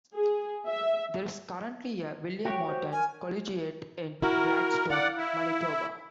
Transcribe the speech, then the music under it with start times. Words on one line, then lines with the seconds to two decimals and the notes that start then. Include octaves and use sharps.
There is currently a William Morton Collegiate in Gladstone, Manitoba.
0.15 G#4
0.70 E5
2.45 F#4 G4 C#5 G5
2.66 C5
2.92 A#4 G#5
4.22 E4 F#4 A#4
4.90 D5 F5 F#5
5.17 E4